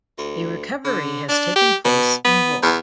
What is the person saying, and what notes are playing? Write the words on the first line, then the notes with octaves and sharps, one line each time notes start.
A recovery has taken place in wool.
D2
D3
D4
G4
B2
B3
E2